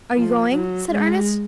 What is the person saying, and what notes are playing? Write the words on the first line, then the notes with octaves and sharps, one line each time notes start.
"Are you going?" said Ernest.
F3
F#3
G#3